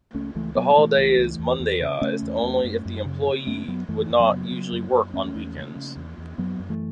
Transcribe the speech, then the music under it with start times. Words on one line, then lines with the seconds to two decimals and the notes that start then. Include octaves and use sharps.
The holiday is Mondayised only if the employee would not usually work on weekends.
0.14 C#2 A3 C#4
0.35 C#2 E3 A3
0.55 B2 F#3 B3
0.76 B2 E3 A3
0.97 C#2
1.18 C#2
1.39 E2
1.60 E2
1.81 C#3
2.01 C#3 A3 C#4
2.22 E2
2.43 E2
2.64 F#2
2.85 F#2
3.05 C#3
3.26 C#3
3.47 F#2 A3 C#4
3.68 F#2 F#3 B3
3.88 F#2 E3 A3
4.10 F#2
4.20 F#3 B3
4.31 C#3
4.51 C#3
4.72 F#2
4.92 F#2
5.14 E2 A3 C#4
5.35 E2
5.56 C#3
5.76 C#3
5.96 E2
6.18 E2
6.38 F#2 F#3 B3
6.59 F#2
6.70 E3 A3